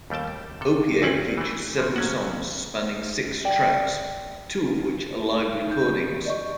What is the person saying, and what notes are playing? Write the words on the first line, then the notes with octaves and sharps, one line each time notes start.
"Opiate" features seven songs spanning six tracks, two of which are live recordings.
D#2 G3 A3 G5 A5
C3 A4
G1 D2 C4 C#4 F#5 G5
E3 A3
A2 F3
F#3 C#4 F#4
D5 G5
D#4
G6
D5 D#5 C#6